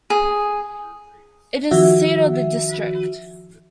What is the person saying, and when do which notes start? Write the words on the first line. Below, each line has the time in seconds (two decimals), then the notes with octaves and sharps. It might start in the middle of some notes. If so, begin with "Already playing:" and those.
It is the seat of the district.
0.10 G#4
1.71 D#3 F3 F#4 E5